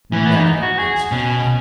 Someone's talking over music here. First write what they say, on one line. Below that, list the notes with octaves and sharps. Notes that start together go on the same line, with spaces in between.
"Never," answered the Queen.
E3 C#4
B3
D#4
F#4
G#4
B2 C#4